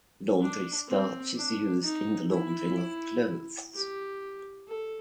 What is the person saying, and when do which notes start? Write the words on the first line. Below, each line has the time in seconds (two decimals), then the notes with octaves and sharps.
Laundry starch is used in the laundering of clothes.
0.41 D4
0.88 C4
1.36 D4
1.83 D#4
2.31 E4
3.74 G4
4.68 A4